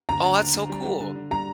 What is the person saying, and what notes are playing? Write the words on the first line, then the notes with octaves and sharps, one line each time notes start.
Oh, that's so cool.
D2 A#5
D2
D2
D2
G3
G3
D3
D3
G3 A#5